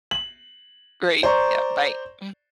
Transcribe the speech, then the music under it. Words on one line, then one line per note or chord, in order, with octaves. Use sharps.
Great. Yeah, bye. Mm
F#7
C5 D5 A#5 C#6